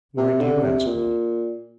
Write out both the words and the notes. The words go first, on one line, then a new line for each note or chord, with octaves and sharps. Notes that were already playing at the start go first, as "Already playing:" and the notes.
Why do you ask me?'
C3
D3
C3
A#2